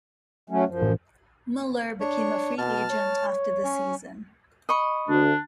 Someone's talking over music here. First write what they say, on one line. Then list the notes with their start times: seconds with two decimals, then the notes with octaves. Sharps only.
Moeller became a free agent after the season.
0.50 F#3 A3 C#4
0.68 F#2 F3
0.82 A1
2.00 D4 C#5
2.58 B2 A5 F6
2.91 C#5
3.64 C#4
4.69 D#5 B5 C#6
5.09 D2 D4